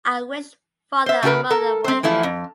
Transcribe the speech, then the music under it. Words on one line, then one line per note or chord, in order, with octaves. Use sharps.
I wish father and mother were here.
C5 E5
C#3 E4 F#4 G4 A#4 B4
A4 A#4
C4 C5
E3 F3 A3 E4
F2